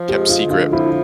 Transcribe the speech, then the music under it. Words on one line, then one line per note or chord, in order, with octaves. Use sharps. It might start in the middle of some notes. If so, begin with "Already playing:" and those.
kept secret.
Already playing: F3
G#3 G4
F4
D3
F4
F3
E4